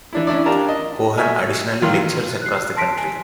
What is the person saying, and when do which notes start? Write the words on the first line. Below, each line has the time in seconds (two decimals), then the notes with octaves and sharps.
Cohen additionally lectures across the country.
0.13 E3 D4 E4
0.27 C#4 D4 E4 D5
0.46 D4 F4 G4 A#4 A5 A#5
0.69 D#5
1.17 F#4 D#5 E5 G#5 F6
1.82 D#3 E3 F#3 F4 C6 F6
2.42 F#6 C7
2.77 A5 C6 A#6 B6 D7
2.98 G#5